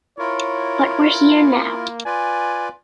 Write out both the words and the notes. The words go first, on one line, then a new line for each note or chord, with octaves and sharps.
But we're here now.
E4 F4 A#4 C#5
A#3
F4 B4 D5 G#5